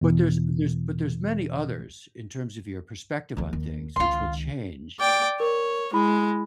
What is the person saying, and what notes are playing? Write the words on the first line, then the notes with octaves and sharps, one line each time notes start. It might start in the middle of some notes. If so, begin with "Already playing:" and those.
But there's there's, but there's many others in terms of your perspective on things which will change,
E2 B2 E3
D2 E3
D#2
C#2 D#3 F4 C6
D5 G5
A#4 C#5
G#3 E4 B5